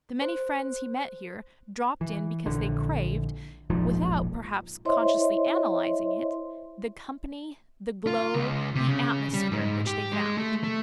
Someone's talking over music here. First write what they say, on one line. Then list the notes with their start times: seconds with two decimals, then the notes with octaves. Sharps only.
The many friends he met here dropped in because they craved, without, perhaps, consciously analysing it, the company, the glow, the atmosphere which they found.
0.22 C5
2.01 E3
2.46 A#1 D3
3.70 E1 A#1 G#2 F3
4.85 E4 C5 C#5 D#5 E5 C6
8.07 F4
8.35 C#2
8.75 C3
8.89 C#3
9.34 G3
9.51 G#2
9.87 G4
10.13 G#3
10.38 A3
10.64 A3